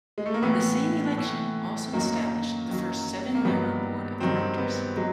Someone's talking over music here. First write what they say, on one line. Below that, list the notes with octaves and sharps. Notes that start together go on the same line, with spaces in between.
The same election also established the first seven-member board of directors.
G#3
A3
A#3
A2 E3 B3
A2 E3
F#2 D#3 F#3 A#3
F#2 D#3 F#3
A#3
G2 D#3 F#3 B3
G2 D#3 F#3 C4
B3
F#3 G#3